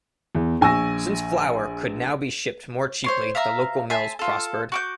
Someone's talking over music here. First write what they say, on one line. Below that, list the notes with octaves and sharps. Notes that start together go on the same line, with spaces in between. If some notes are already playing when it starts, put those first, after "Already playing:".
Since flour could now be shipped more cheaply the local mills prospered.
E2
A#1 G#5 C#6 E6 A#6
C5 C#5 C6
E5 F5 A#5 E6
E5 G#5 A5 C6
F4 A4
F#4 D6 G6